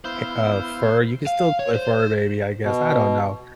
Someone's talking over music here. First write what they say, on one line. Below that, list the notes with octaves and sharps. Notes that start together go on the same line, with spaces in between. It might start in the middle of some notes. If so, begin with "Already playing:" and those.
ha uh, fur, you can still a fur baby, I guess, I don't know,
B3 E4 C5 F5
F5
C#5
C5
B2